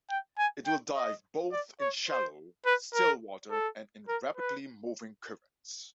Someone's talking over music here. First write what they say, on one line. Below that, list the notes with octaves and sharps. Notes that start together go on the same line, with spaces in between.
It will dive both in shallow, still water and in rapidly moving currents.
G5
G#5
G5
D#5
D5
C#5
C5
B4
A#4
A4
A#4
B4